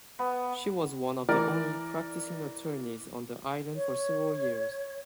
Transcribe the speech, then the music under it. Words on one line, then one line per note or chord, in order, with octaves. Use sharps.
She was one of the only practicing attorneys on the island for several years.
B3
E3 A#4 D5
C#5